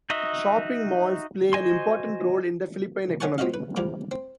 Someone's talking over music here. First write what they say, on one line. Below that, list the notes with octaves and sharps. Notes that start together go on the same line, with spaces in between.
Shopping malls play an important role in the Philippine economy.
D#4 F#4 D#5 E5 D#6
F#4 C5 D#5 G#5 C6
C#4 C#5 F#5 G#5 A5 C#6
C4 F4 F#4 D#5 F5
B4
E2 F3 G3 D6
C4